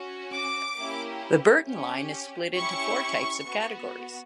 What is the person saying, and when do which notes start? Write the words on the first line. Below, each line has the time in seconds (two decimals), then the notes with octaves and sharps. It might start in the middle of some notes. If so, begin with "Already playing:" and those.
The Burton line is split into Four types of categories.
Already playing: C#4 F#4
0.32 D6
0.77 A#3 C#4 E4 G4
1.66 C#4 G4
2.55 C#4 E4 G4 C#6
3.45 B3 F#4